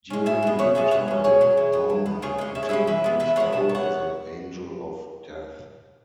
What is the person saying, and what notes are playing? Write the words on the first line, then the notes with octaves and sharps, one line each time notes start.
During that time, Doorman continued on his role as an angel of death.
G#3 C#4
B2 E5 G#5
G#3 B3
B2 C#5 F#5
G#3 B3 E5 G#5
B2 C#5 F#5
F#3 C#4
B2 G#4 C#5
F#3 C#4
E3
B3
E3
B3
C#3 G#4 C#5
G#3 C#4
C#3 E5
C#5
G#3 C#4 B4 E5
E3 B4 E5
G#3 B3
E3 B4 E5
G#3 B3 C#5 F#5
B2 E5 G#5
B3
C#5 F#5